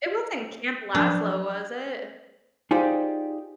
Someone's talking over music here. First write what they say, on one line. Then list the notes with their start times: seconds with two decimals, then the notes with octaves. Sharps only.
It wasn't Camp Laszlo, was it?
0.95 F3 F#3 D4
2.71 D#4 F4 G4 G#4 C5 D5